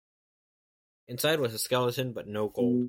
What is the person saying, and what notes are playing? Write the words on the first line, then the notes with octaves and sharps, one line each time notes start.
Inside was a skeleton but no gold.
B2